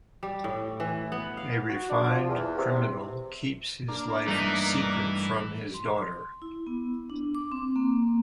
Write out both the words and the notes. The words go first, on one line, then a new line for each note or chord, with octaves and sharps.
A refined criminal keeps his life secret from his daughter.
G3
A2
E3
B3
F5
F#4
D4
F3
E2
C3
A#3 D4
G2 E3 A3 D#4
C6
E4
B3
D4
D6
C4
A#3